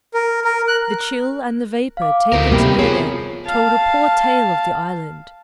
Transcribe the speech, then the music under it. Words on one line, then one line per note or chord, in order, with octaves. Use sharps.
The chill and the vapour taken together told a poor tale of the island.
A#4
A#4
F#6
F5 D6
D2 D#4 E4 A#4
C3 G3 A#3 B3 G5 B5
C4 F4 G#4 C#5
F5 A5